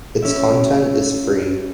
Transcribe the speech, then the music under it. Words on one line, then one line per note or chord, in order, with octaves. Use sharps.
Its content is free.
C#4 E4 E5